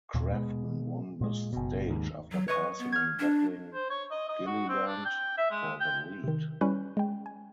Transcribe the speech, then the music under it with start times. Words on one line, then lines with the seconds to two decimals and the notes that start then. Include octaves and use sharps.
Crafton won the stage after passing and battling Gilliland for the lead.
0.14 D#2 A#2
0.32 B2 G#3
1.21 A#2 G#3
1.53 F#1 B2
1.89 D#2 G#2
2.32 F#3
2.48 B4 C#5 D#5 C#6
2.79 B3
2.92 F6 G#6
3.19 D4
3.74 C5
3.90 C#5
4.11 D#5
4.29 D#5
4.47 F#4
4.69 C4
4.87 D4
5.05 G5
5.38 E5
5.51 G#3
5.80 G5
6.24 C3 D#3
6.61 G3 C#4 E4 B4 C#6 F#6
6.97 G#3 G5
7.26 G#5